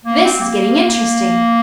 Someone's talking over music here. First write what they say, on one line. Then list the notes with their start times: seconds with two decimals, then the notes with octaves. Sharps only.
"This is getting interesting!"
0.05 A#3
0.24 C4
0.40 A#3